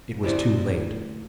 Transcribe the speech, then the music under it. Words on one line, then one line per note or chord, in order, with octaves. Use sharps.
It was too late.
D2 E4 G4 C5 D5